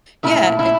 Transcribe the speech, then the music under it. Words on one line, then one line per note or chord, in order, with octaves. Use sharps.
yeah, uh,
A#2 A3 E4
E4